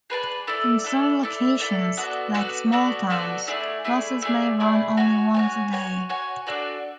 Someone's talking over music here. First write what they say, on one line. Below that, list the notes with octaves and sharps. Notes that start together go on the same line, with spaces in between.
In some locations, like small towns, buses may run only once a day.
G#4 B4 D5 A5
E4 A4 D5
E4 A4 D5
E4 A4 D5
E4 A4 D5
B3 F#4 A4 D5
B3 F#4 A4 D5
B3 F#4 A4 D5
B3 F#4 A4 D5
A3 E4 G#4 D5
A3 E4 G#4 D5
A3 E4 G#4 D5
A3 E4 G#4 D5
F#4 C#5 G#5
F#4 C#5 G#5
F#4 C#5 G#5
F#4 C#5 G#5
D4 F#4 A4 D5